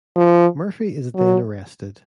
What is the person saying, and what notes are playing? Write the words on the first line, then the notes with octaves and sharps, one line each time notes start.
Murphy is then arrested.
F3
F#3